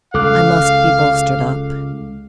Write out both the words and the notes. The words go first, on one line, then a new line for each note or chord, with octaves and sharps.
I must be bolstered up.
C#2 A4 F5 D6 F#6